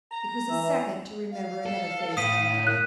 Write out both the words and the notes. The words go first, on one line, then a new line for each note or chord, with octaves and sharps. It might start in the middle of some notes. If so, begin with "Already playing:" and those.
It was a second to remember another phase of the matter.
A#5
E3 E5
F5
A4
A2 D#6 B6 D#7
A#4 F#6